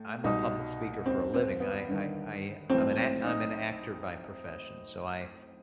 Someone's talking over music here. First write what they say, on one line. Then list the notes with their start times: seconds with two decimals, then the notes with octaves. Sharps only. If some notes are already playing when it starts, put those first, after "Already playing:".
I'm a public speaker for a living. I I I I'm an act I'm an actor by profession, so I
Already playing: A2
0.24 C2 B2 D#4
1.06 D#2 D#3 C4
1.34 C4
1.60 B3
1.88 G1 G2 D#3
2.70 B1 A2 E3 C4
2.97 C4
3.24 D#4